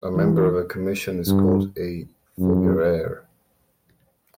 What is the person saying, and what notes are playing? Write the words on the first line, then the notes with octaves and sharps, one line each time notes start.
A member of a commission is called a "foguerer".
E3
G2
F#2